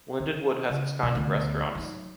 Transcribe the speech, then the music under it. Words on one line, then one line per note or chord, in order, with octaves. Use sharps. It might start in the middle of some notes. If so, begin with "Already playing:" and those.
Lindenwood has its kind of restaurants.
D#3
C#3
F#2 B2
D2 B3
F#3 D#4